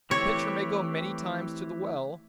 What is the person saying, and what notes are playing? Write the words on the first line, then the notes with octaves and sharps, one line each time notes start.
The pitcher may go many times to the well....'
E3 A3 C4 E4 G4 C#5